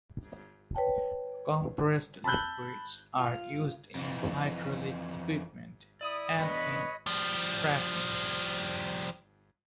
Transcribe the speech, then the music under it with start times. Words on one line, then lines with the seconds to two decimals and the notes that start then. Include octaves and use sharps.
Compressed liquids are used in hydraulic equipment and in fracking.
0.75 B4 C#5 G5 A5
2.24 A5 B5 E6 F#6 G6
3.18 F4
3.95 F2 E3
6.01 E4 D5 D#6
6.38 E2 B3 D4 B4 C#5 D#5 B5
7.06 F3 G3